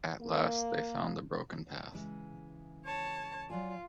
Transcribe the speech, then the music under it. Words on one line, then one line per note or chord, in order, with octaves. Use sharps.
At last they found the broken path.
A#3
C#3 E3 G#3
C#5 A5
F#3 F4 D5 G#5